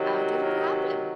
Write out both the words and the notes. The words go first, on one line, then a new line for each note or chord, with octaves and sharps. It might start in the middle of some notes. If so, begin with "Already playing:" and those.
"How did it happen?"
Already playing: C3 D#3 F#3
A#4 C#5